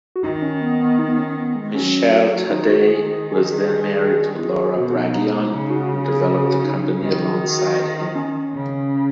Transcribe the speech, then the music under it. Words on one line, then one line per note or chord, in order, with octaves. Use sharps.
Michele Taddei was then married to Laura Braggion who developed the company alongside him.
F#4
D#3 D#4
C#4
B3
B3
D#4
B3
C#4
B3
G#3
F#3 C#4
F#4
D#3 D#4
F#4
G#4
G#4
G#4
B2 F#4
D#4
D#4
D#4
C#3 D#4
F#4
G#4
G#4
F#4
D#4
C#4
D#3 D#4
G#4
F#4
F#4
C#4
C#3